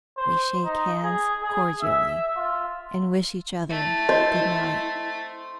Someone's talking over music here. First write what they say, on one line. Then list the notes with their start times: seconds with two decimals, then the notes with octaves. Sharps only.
We shake hands cordially, and wish each other good-night.
0.17 C5
0.65 D#4
1.03 G#4
1.43 G#4
1.82 E5
2.37 F4
3.70 A3 E4
4.09 C5 D#5